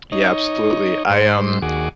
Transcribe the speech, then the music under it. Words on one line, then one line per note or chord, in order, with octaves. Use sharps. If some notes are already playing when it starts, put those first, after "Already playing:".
Yeah, absolutely. I, um,
D#4 C#5 D#5
G#2 C5
D#2 F#4 G#4 D6